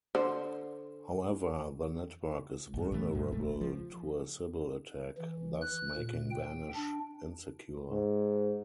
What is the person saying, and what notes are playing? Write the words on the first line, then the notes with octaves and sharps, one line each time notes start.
However, the network is vulnerable to a Sybil attack, thus making Vanish insecure.
D3 C5
A#1 E2 G2
A#1 E3 A3
C2 F#2 A#2 G#3
E1 A#1 A3
F3
E3
F#6
A#2
G5
D4
G#2